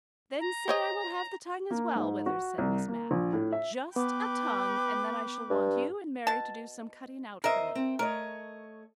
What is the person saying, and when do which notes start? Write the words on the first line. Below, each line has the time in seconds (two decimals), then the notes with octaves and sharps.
"Then say I will have the tongue as well, Withers," said Miss Mapp. "Just a tongue--and then I shall want you and Mary to do some cutting out for me."
0.40 A#5
0.68 C5 C#5 D#5
1.70 A#3
1.96 G#2
2.26 F#4
2.58 C2
2.88 A#3
3.11 A#1
3.33 A2
3.52 E5
3.96 B3 B4 G5 D6
5.50 G2
6.27 B2 A5
7.44 E2 A#4 C5 D#5 E5
7.75 C4
7.99 A3 A#4 C#5 D#5